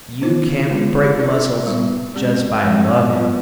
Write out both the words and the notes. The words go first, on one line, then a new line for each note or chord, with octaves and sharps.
You can't break muscles just by loving.
D#3 B3 F4 C5
D3 G#3 B3 D4 F4
C4 D#4 G#4 B4 D5
G3 B3 D#4 B4
G#3 C4 G4 D5
F3 G#3 C4
G3 B3 F4 B4 D5